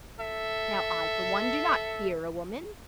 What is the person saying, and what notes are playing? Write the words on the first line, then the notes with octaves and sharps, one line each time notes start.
Now I, for one, do not fear a woman.
A4 E5